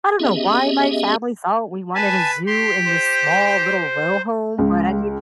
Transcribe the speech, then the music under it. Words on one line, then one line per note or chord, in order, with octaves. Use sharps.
I don't know why my family thought we wanted a zoo in this small little row home, but I mean,
B3 C#4 G4 G#4 D#5 E5
B4 G#5 A5
G4 C6
C5
C#2